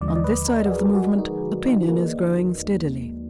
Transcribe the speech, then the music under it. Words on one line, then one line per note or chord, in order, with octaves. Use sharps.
On this side of the movement opinion is growing steadily.
D#2 D3 F3 G#3 D5
D#5
D5
B4
A#4
F#4
G#4
F#4
D#4
D#4
A#3